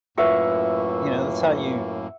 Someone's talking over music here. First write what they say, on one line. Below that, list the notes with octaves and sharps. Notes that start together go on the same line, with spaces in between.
You know, that's how you
F#2 A2 A#3 F4 B4 E5 F#5 C#6